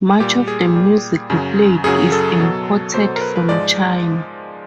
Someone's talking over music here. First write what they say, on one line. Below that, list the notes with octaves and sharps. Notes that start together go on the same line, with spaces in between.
Much of the music played is imported from China.
A#2 G3 G4
G#4
A#2 G3
F#2 C#3 F#3
F#2 C#3 F#3 G#4
A4
B2 F#3
B2 F#3 C5
A#4
B4
B4
G#2 F3 G#3 D5